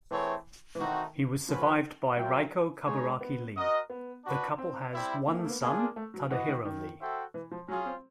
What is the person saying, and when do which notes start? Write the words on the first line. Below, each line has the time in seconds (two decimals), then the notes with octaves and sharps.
He was survived by Reiko Kaburaki Lee; the couple has one son, Tadahiro Lee.
0.11 E3 A3 C4 E4 G#4 C#5
0.75 E3
0.79 D#3 A3 C4 D#4 F#4
1.49 F3 C#4 F#4 B4
2.17 F#3 F4 A#4 C#5 E5 G5
2.86 G#3 D#4 G#4 C#5
3.03 G#3
3.21 B3
3.55 F#4 A#4 D#5
3.90 B3
4.24 D4 F#4 B4
4.58 C4
4.93 G3 C4 E4
5.27 A#3
5.39 A3
5.45 A#3
5.50 B3
5.61 A#3 D4 F4 G#4
5.79 A#3
5.96 A3
6.14 F#3
6.31 E3 F#4 B4 D#5 F#5
6.48 D#3
6.65 D#3
7.00 F#4 A4 C5 E5 G5
7.34 E3
7.51 F3
7.68 F#3 C#4 F4 G#4
7.86 C4